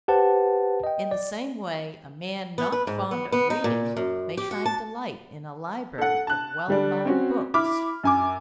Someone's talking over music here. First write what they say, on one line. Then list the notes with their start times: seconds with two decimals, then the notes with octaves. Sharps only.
In the same way a man not fond of reading may find delight in a library of well-bound books.
0.08 G4 B4 C5 F#5 A5
0.84 D#5 G5
1.11 D5
2.58 B3
2.72 B4
2.87 G#2
3.11 B3
3.32 B3
3.50 D#4
3.64 A#2
3.97 F#2
4.37 G4
4.51 F#4
4.65 A5
5.98 A4 F#5
6.27 A5 F#6
6.68 D3 G3 D4
7.05 C4 C#4 F#4
7.54 E4 B5 D6 F6
8.04 F#2 G#5 D6